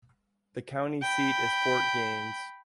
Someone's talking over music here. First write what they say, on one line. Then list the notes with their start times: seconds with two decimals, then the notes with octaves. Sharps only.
The county seat is Fort Gaines.
1.02 G5 B5